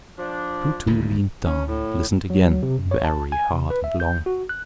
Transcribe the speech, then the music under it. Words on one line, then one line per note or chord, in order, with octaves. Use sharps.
Too-Too leaned down and listened again very hard and long.
F3 D4
D#1 D2 G#2
C#4
A2
F#3
C3
F#2
C#5
A5
G#5
C3
B4
E5
G6
F#4
F#6